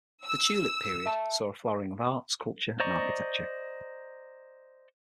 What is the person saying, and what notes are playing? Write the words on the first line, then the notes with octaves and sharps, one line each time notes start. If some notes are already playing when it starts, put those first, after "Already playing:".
The Tulip period saw a flowering of arts, culture and architecture.
E6
E5 A5
C5 D5 D#5 A#5 C#6